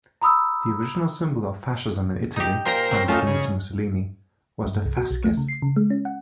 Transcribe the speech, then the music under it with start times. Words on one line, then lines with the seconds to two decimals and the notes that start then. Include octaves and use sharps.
The original symbol of fascism, in Italy under Benito Mussolini, was the fasces.
0.22 A#5 B5 D#6 E6
2.36 D#4 G4
2.65 A#2 A#4 C5 G5 A#5
2.91 F#3 C4
3.08 A3 C#4 D#4 F4
3.27 C#3
4.67 G2
4.85 C2
4.97 F#4
5.11 B1
5.24 A3
5.37 C#3
5.49 C7
5.62 C#3
5.76 G#3
5.90 C#4
6.05 F#5